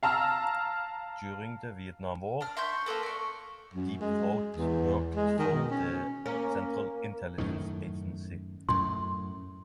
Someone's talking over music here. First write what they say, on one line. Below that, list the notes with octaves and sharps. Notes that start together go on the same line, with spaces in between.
During the Vietnam War, Deep Throat worked for the Central Intelligence Agency.
F5 A5 A#5 E6 F6
D4 F6
E5 C6 C#6 G6
A#3 G4 A4 B4
D5 C#6
F#2
G#3
E2
G#3
D#3
B2
C#4
A#3 C#4 A#4
F#2 A2 D#3
F#2 A2 C6